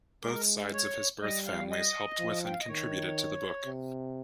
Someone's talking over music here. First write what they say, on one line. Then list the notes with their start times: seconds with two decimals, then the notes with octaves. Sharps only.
Both sides of his birth families helped with and contributed to the book.
0.24 G#3 A#4
0.73 C#5
1.22 G3 D#5
1.46 F5
1.71 D#5
2.19 F3
2.45 G5
2.53 F5
2.61 D#5
2.68 D#3 C#5
3.66 C3